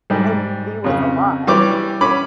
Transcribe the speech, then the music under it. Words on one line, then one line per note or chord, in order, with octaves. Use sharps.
and be with a lot.
G#2 G3
F2 C#3
E3 G3 C#5 D6
C#4 B5 D6